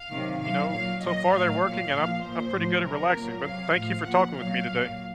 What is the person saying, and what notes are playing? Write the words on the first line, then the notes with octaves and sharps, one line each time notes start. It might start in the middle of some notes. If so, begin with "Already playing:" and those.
you know, so far they're working and I'm I'm pretty good at relaxing but thank you for talking with me today.
Already playing: F5
C3 D#3 F#3
C3 F#3 F5
A#2 F#3 F5
A#2 F#3 D#5
A2 F#3 F5
A#2 F#3 F5
A#2
F3
A#2 F3 C5
A2 F3
C3 F#3 A#4
A#2 F#3
C3 F#3 F5
A2 F3
A#2 F3 F#5
A#2 F#3 F5
A#2 F#3